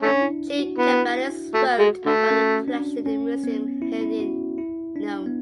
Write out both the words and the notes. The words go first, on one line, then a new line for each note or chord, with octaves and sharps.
Jean Cabanis wrote about the collection in Museum Heineanum.
A3 C#4 D4
D4
E4
F#4
B3 E4
A3 F#4
G#3
D3 A3
C#4
D4
C#4
B3
E4
E4
F#4
E4
D4
B3